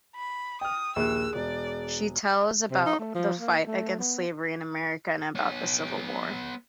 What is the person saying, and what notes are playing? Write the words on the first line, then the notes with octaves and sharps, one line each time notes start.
She tells about the fight against slavery in America, and about the Civil War.
B5
G5 D#6 F6
A#1 D#2 G#4 E6 F#6
E1 D5
C3
D#4
A3
F3
A#3
A3
B3
B3 C#5